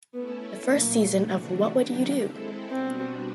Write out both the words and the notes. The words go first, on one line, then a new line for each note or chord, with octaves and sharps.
The first season of What Would You Do?
A3 B3 C#4 E4 A4
A#2 F#3 A3 A#3
C3 E3 A3 D4 F#4
D#3 F#3 A#3 D4 G4
G#3 C4 E4 A4
B2 G3 B3 C4 D4 F#4